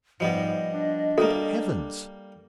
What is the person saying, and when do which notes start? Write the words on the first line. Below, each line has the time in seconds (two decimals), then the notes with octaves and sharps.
Good heavens!
0.20 G#2 F3 G3 B3 D#5
0.74 D4
1.18 G3 A#3 A4